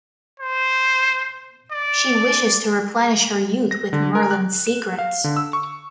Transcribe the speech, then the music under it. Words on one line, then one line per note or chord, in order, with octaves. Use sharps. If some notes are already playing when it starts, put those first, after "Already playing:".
She wishes to replenish her youth with Merlin's secrets.
C5
D5
A#6
D3
A#4
F#6
E7
F5
D3
E6
C#6